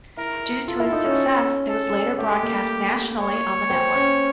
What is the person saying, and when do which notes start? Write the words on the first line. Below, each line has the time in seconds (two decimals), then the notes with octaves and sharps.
Due to its success, it was later broadcast nationally on the network.
0.17 E4 A#4
0.68 F4 A4
0.80 E4
0.93 D#4
1.05 C#4
1.68 A4
2.18 A3 G4
2.43 A#3
3.19 C#5
3.70 C4
3.95 C#4